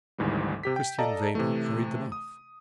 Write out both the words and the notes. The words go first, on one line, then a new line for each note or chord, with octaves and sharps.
Christian Weber hurried them off.
G#1 D2 G#2 E3 G3
C3 G4 B6
G5
A4 D5 D#5 F5 A5 A#5
C3 E3 A3
D#6